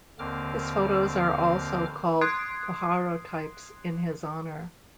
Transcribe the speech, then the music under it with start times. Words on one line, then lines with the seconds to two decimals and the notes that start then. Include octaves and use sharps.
His photos are also called puharotypes, in his honor.
0.19 D#2 D3 A#3 C4 D6 F6
2.21 C6 D#6 F#6 G#6 C7 D7